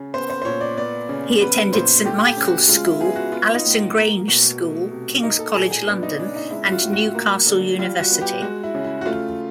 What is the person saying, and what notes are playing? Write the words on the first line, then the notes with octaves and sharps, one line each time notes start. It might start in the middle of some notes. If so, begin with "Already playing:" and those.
He attended Saint Michael's School, Allerton Grange School, King's College, London, and Newcastle University.
Already playing: C#3
B3 C5
C5
C5
A#2 C#5
D5
B3 D5
C#3
B3 B4
A#2 C5
A3 G4
G4
C#3
F#4
G#3 F4
E4
B3 G#4
F#4
B3 F4
D#4
A2
A#3
B2
A3
C3
A#3 D#4
A4
A#2 G#4
G#4
B3 D4
D#4
C#3 D4
D#4
G#3 E4
F#4
F4
A2
F#4
A#3
D3
G3 F4
F#4
B3
G4
G#3 F#4
E4
C#3
E4
F#4
A3 F4